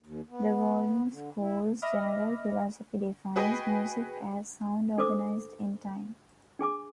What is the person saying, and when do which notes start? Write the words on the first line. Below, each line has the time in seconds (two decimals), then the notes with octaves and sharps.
The Walden School's general philosophy defines music as sound organized in time.
0.02 D#2
0.30 B3
1.11 D3
1.40 E4
1.82 D#5 E5 B5 D6 F6 A#6
3.36 F#4 G#4 B4 D#5 G5 G#5
4.98 D4 A4 C5 D6 D#6
6.59 D4 G#4 G#5 D6